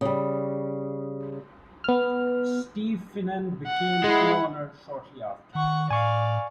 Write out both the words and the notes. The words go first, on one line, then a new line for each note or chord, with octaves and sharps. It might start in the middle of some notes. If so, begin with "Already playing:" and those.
Steve Finan became co-owner shortly after.
C#3 G3
B3 F6
F#5
G#3 E4
D#3 F#5 C#6
A2 D5 F5 G#5 C#6